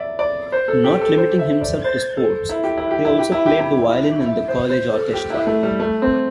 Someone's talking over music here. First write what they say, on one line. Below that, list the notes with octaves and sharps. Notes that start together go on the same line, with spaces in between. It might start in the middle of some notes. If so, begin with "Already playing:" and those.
Not limiting himself to sports, he also played the violin in the college orchestra.
Already playing: D5 E5
D5
C5
A4
G4
A4
C5
E5
D5
C5
A4
E4
G4
E4
G4
E4
G4
E4
G4
E4
E4
E4
E5
C5
C5
A4
G4
E4
A3
G3
A3
C4